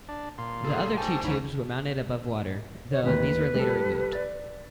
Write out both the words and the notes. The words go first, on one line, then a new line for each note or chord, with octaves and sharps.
The other two tubes were mounted above water, though these were later removed.
D4
A#2 C6
G#4 A4
G4 A4 C5 G#5 C#6
D2 D#4 C5 C#5 B5
C#5
A1 D#2 B4
G3 A4
D5 A6